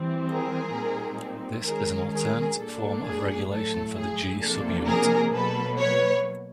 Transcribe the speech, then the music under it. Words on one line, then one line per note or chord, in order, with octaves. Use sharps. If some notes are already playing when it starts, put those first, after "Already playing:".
This is an alternate form of regulation for the G subunit.
Already playing: E3 G3 C4
G#4 A#4
A#2 G3 C4 D#4
D#3 G#3 C#4 G#4 A#4
G#4 A#4
A#2 G3 A#3 D4 A4
G#4
A2 F#3 A3 A4
G#4
C3 F3 A#3 D4 A4
G#4 A#4
B2 F#3 A#3 A4 B4
B4 C#5